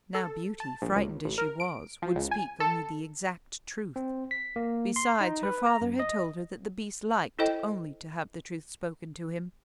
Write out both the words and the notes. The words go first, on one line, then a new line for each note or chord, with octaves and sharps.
Now Beauty, frightened as she was, would speak only the exact truth; besides, her father had told her that the beast liked only to have the truth spoken to him.
A4
A5
A#1
C#2
A1
A#4
D7
F3
C#2
G#5
A4
C4
B6
A#3
C6
D#4
B4
A#5
F#2
D#5
E4 A4 C5 D#5 G5